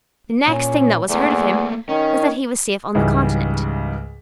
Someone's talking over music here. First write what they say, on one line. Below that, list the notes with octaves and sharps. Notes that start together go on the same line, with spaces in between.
The next thing that was heard of him was that he was safe on the Continent.
A#2 C#4
E2 A3 A#3
D#3 C#4
C#2 G#2 C#3 E3 G3